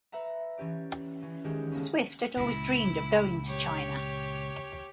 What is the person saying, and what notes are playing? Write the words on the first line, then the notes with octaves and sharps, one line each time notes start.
Swift had always dreamed of going to China.
B4 E5 F#5 A#5
E3 C#4 G4 D5
E3 C#4
D#3 G#3 F#4 G4 C#5
D3 G#3 A#3 B3 C#4
C#2 A#2 E4
G4 C#5